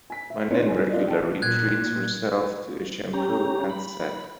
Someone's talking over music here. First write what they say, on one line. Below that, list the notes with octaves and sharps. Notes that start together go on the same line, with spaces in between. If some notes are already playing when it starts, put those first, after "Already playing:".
My nan regularly treats herself to a shampoo and set.
G#5 B6
E5
B3 C4 D4 D#4 F4 C#5
D4 G#5
B3 D4 F4 D5 D#5
G5 A5
A#2 F#6 G#6
C#4 G4 A#5
B5